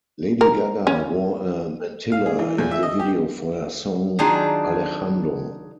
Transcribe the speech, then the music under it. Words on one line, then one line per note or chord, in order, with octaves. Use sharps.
Lady Gaga wore a mantilla in the video for her song, "Alejandro".
A#4
C#4
F5
G#4
E3
E2
E5
D#5
G4
D#3 F#3 D4 D#4 F4 G#4